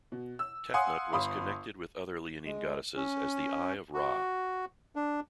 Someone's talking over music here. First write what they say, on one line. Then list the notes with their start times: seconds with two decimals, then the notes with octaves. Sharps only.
Tefnut was connected with other leonine goddesses as the Eye of Ra.
0.12 B2
0.39 E6
0.74 F5 F#5 G#5 C6 D#6
1.12 G1 F5 B5 C6 D#6
2.46 G#3
2.96 C#4
3.94 F#4
4.96 D4